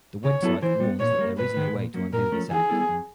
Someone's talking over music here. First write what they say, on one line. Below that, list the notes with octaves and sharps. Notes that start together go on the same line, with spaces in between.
The website warns that there is no way to undo this act.
C#3 C#5
F#3 B3 E4 A4
E3 C5
G3 B3
A#2 C#5
G3 A#3
G2 B4
D#3 G#3
A#2
F#3 A#3 C#4
A#2 A#4
F3 A3 C#4
E3 G#4
G3 B3 E4 A4
F2